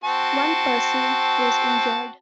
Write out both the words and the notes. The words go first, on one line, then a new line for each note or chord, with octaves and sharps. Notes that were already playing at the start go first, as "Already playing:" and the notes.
One person was injured.
C4 F#4 A5